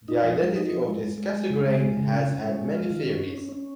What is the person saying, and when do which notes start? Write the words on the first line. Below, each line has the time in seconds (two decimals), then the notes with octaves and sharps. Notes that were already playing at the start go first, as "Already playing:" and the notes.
The identity of this "Cassegrain" has had many theories.
0.08 D#4
0.24 F3
0.41 G#3
0.56 D#4
0.72 F3
0.87 G#3
1.03 G#3
1.18 G#3
1.34 G#3
1.50 C#3
1.66 G#3
1.81 G#3
1.97 C#3
2.13 C#4
2.28 C#4
2.44 G#3
2.59 G#3
2.75 F4
2.91 D#3
3.06 C#4
3.22 C#4
3.38 C#4
3.53 C#4